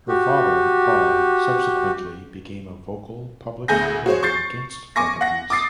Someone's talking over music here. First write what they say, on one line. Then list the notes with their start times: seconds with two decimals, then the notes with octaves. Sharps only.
Her father, Paul, subsequently became a vocal public campaigner against drug abuse.
0.08 F#4 G4
3.68 D2 G#4 G#5 G6 A#6
4.06 F#4 G#4 C5 C#5
4.23 C#6 G6 A6 C7
4.96 G#5 C#6 D6 A#6
5.21 F#5 A#6
5.50 D6 D#6 A6 C7